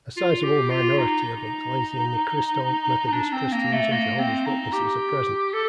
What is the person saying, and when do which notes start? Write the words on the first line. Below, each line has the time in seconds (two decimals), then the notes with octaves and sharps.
A sizeable minority of Iglesia ni Cristo, Methodist Christians, and Jehovah's Witnesses are present.
0.17 F4
0.43 G4
0.70 F4
0.97 D#4
1.24 D#4
3.07 D#4
3.12 D4
3.32 C4
3.52 A#3
3.72 A3
3.92 A#3
4.19 C4
4.46 D#4
4.73 G4
5.54 A4